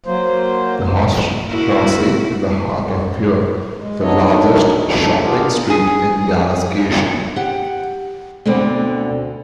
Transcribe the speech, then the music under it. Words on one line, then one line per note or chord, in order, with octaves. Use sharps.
The Hochstrasse in the heart of Buer is the largest shopping street in Gelsenkirchen.
F#3 A#3 C5
A#3 E4 F#4
G#3
B3 D4 D#4 C#5 D#5 E5
D#3 F#3 D4 D#4
D4 D#4 A4
B3 D4 F4 G4 G#4 A#4
G#4
G4 F#5
D2 B2 D3 C4 D5